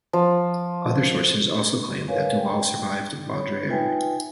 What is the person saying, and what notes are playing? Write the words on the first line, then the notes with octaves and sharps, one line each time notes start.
Other sources also claim that Duval survived Baudelaire.
F3
A#4 B4 C#5 F5 G#5
G5
C#5 B5
D#4 F4 B4 E5 G5 G#5